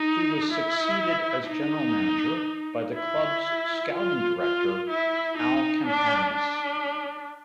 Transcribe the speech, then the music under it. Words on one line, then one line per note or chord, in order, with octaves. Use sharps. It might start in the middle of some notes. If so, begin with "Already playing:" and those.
He was succeeded as general manager by the club's scouting director, Al Campanis.
Already playing: D#4
E4
D#4
E4
F4
F4
E4
D#4
D4
D4